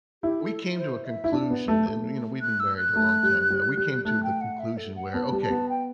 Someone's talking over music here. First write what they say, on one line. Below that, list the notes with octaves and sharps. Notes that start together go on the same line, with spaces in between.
we came to a conclusion, and, you know, we've been married a long time now. We came to the conclusion where, "Okay,
E4 G4
A4
C5
E5
E4
D4
B3
A3
A3
F#6
E6
F#6
A3
G3
G3
G3
A3 F#6
G5
F#5
E5
A4
F#5
B3 A5
G3
A5
B3
G5